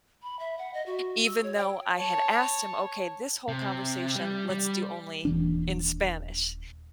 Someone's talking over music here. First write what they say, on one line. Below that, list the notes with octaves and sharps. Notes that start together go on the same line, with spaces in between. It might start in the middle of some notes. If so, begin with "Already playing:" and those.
even though I had asked him, "Okay, this whole conversation, let's do only in Spanish,"
B5
E5
F#5
D#5
F#4
E6
C#5
G5
C#5 A5
C3
G3
G3
D#1 E3 D4